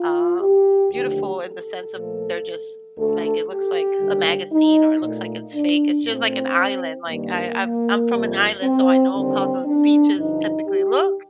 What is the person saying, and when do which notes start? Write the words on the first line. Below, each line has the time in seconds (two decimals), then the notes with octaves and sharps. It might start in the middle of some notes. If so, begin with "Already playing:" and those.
um, beautiful in the sense of, they're just, like, it looks like a magazine, or it looks like it's fake. It's just like an island, like, I I I'm from an island, so I know how those beaches typically look,
Already playing: F4
0.40 G4
0.92 D#2 D3 F3 A3 G4
1.43 A4
1.94 A#2 F3 A3
2.97 D2 D3 A3 A4
3.49 G4
4.00 D#2 D3 G3
4.52 D#4
5.02 A#2 A3
5.54 D4
6.05 A#2 A3 C4
7.08 G2 D#3 G3 A#3
8.11 F2 C3 G3
8.62 C4
9.13 D#2 D3 G3 C4
9.65 D4
10.16 G2 D3 F3 D#4
10.67 G4